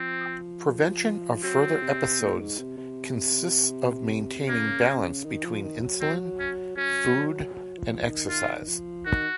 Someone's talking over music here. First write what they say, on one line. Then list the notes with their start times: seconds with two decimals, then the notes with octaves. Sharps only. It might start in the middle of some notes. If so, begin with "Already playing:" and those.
Prevention of further episodes consists of maintaining balance between insulin, food, and exercise.
Already playing: F3 C4
0.68 F3
1.43 F#3 C4
1.82 C3
2.20 A#2
2.39 G#2
2.58 C3
2.77 C3
4.49 C#3 A#3
5.25 D#3
5.44 F3
5.63 D#3
5.82 F#3
6.01 C4
6.39 C#4
6.77 F#3 C#4
7.15 F#3
7.54 F#3
7.78 F3
8.05 D#3
8.29 D#3 F4
8.67 F3
9.06 D#3 F#4